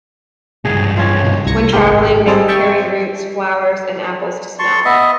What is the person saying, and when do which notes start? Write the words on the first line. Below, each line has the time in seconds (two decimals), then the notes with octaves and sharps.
When traveling, they would carry roots, flowers and apples to smell.
0.65 C#2 G2 G#4
0.97 C#4 F4
1.46 C2 G#6 A#6 C#7
1.73 G#1 G#2 G#3 G4 A#4
2.26 G3 G#3 C4 G#4 A4
2.48 E5 G5 A5 C#6
4.59 A5 C6 C#6
4.85 B3 D#5 E5